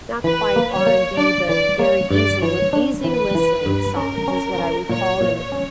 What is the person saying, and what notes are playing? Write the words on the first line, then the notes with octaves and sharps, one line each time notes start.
not quite R&B, but very easil easy listening songs is what I would call them,
E3 B4
A#3
C#5
A#3
D4 D5
E3 D5
A#3 C#5
G2 D5
E3 C#5
D4
E3 B4
E3
G2
C#4 A#4
C#4
C#4
A#2 C#5
A#2
C#5
C#4